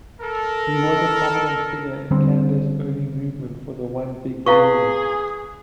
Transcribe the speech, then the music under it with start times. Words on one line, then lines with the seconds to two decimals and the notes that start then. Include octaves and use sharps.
He was a prominent figure in Canada's early movement for the One Big Union.
0.22 A4 A#4
2.11 D3 G3 C4
4.46 E4 G#4 B4 F5 C#6